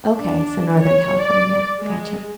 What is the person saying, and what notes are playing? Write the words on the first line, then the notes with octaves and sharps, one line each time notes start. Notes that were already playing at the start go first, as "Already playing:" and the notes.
Okay, so, Northern California. Gotcha.
D4
C#5
D5
G#3